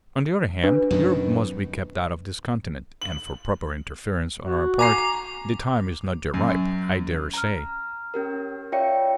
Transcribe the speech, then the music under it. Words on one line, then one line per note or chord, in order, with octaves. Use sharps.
On the other hand, Europe must be kept out of this continent, and for proper interference on our part the time is not yet ripe, I dare say.
D4 B4
F#2 B2 D#3
F#7
F#4
G#5 A#5 D6 C7
F#2
A#5 F6
C#4 G4 A#4
F4 C#5 D5 E5 G5 C#7